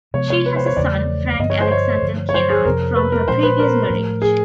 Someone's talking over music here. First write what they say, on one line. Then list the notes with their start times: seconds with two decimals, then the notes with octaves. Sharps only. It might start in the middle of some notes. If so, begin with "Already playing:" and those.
She has a son, Frank Alexander Kennan, from her previous marriage.
0.14 C3 F3 G#3 B3 C#5
0.30 C#5
0.46 B4
0.56 C5
0.66 C#5
0.77 E2 C#3 F3 A3 D5
1.39 G2 D3 F3 D#5
1.50 C#5
1.60 C5
1.72 C#5
2.02 G2 D3 F3 A3
2.29 C#5
2.34 C5
2.50 G#4
2.65 F2 C3 F3 A#4
2.96 B4
3.12 A#4
3.28 A#2 F3 G#3 C#4 C5
3.43 B4
3.59 A#4
3.90 A2 F3 A3
4.22 G#4